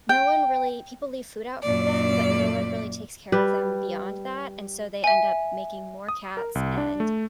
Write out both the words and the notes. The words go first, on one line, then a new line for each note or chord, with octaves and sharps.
no one really people leave food out for them, but no one really takes care of them beyond that, and so, they end up making more cats and
G5
F#2 A#2 D5
G3 B4
E5 G#5
D#6
A#4
C2
D4
A3